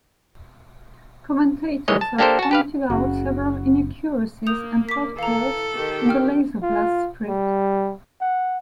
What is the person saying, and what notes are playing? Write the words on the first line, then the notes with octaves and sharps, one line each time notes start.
Commentators have pointed out several inaccuracies and plot-holes in the "Laserblast" script.
D2 D#3 E3 G#3 C#5 D#5
A5
A#3 D4 G4 A4 A#4 C5
F#4 A5
G4 B4 F5
F#1 C#3 F#4
A#3 D#6 G6 F7
D6 B6
E3 A4 F5 A#5
D#3 G4
G5 F6
F4
G3
F#5